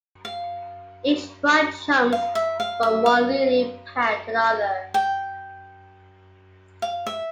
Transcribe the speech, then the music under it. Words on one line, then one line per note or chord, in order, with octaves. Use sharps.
Each frog jumps from one lily pad to the other.
F5
F5
E5
F5
E5
F5
G5
F5
E5